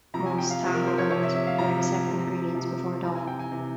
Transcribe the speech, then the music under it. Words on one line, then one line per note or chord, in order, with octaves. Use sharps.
Most taho vendors prepare the separate ingredients before dawn.
C3 F3 A#5
G#5
G5
F5
C3 F3
A#4
C5
C#5
C3 F3 C#5
E5
E5
F5
C3 F3 A#5
C3 F3
C3 F3
C3 E3 A#5
G#5
G5
G#5
C3 E3